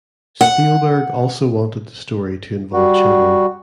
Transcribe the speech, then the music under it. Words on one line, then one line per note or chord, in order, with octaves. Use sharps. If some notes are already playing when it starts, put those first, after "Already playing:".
Spielberg also wanted the story to involve children.
F#5
G3 F#4